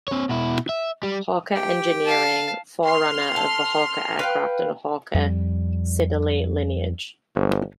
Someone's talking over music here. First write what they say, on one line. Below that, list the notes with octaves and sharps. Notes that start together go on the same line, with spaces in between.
Hawker Engineering, forerunner of the Hawker Aircraft and Hawker Siddeley lineage.
C4 C#5
B2 E4
E5
G3
G4 G5
F5 A5
C6 F6
A4
B4 F5 G5
F2 G3
G1